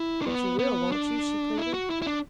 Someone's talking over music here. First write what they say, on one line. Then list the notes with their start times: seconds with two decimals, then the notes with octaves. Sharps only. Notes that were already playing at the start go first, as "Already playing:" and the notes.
"But you will, won't you?" she pleaded.
Already playing: E4
0.22 D4
0.26 B3
0.59 B3
0.92 D4
1.57 E4
1.74 F#4
1.90 E4
2.02 E4
2.07 D4